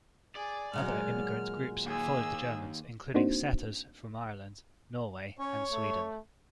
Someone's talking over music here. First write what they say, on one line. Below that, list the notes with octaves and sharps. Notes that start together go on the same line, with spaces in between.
Other immigrant groups followed the Germans including setters from Ireland, Norway and Sweden.
G#4 D5
A#2 D#3 F#3 G#3 F6
D#2 G#4 D6 E6
A#3 C4 D4 D#4 F#4 C5
C#4 C#5
A3